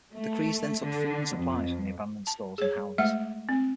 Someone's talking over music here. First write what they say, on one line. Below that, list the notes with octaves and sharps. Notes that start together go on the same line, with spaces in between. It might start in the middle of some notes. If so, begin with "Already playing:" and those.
The Crees then took food and supplies from the abandoned stores and houses.
A3
D3
F2
A5
G#4 C#5
G#3 A3 E5 F#5
C4